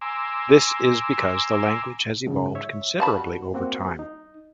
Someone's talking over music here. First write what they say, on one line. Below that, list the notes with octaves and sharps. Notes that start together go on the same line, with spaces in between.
This is because the language has evolved considerably over time.
G#5 A#5 C6 D6 E6
G#2 C#3 F3
C#5 E5
G3 A5 B5
F#4
A#3 C4 F#4
D#4